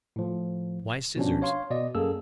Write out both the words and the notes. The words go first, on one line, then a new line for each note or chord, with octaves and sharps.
Why scissors?
A2 F3
B2 F3 C#4 D4
C#5 F5 C6
B2 D5 D#5
F#2 A#3 G#4 A4 E6